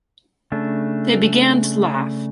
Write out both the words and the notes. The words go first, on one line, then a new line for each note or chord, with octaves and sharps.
They began to laugh.
C#3 A3 D4